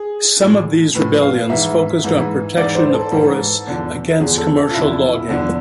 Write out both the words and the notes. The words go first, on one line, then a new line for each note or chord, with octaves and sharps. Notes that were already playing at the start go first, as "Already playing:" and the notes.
Some of these rebellions focused on protection of forests against commercial logging.
Already playing: G#4
A2 F3
A2 F3 B4
F5
G#2 E3 E5
G#2 E3
G#2 E3 D5
C5
A4
G#2 E3
E2 D3 F3
E2 D3 F3 G#4
A4
A4
F4
E2 D3 F3 E4
E2 D3 F3